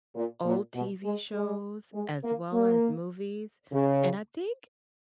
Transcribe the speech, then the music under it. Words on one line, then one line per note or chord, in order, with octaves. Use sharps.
old TV shows as well as movies, and I think
A#2
A#2
B2
G#3
G#3
G#3
A#3
A#3
C#3